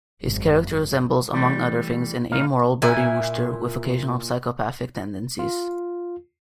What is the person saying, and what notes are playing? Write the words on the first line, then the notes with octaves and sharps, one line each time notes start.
His character resembles, among other things, an amoral Bertie Wooster with occasional psychopathic tendencies.
G#1 F#2
E3 G3 A3
D2 A#2 D#4 F5
A#2 E4 G#5
F4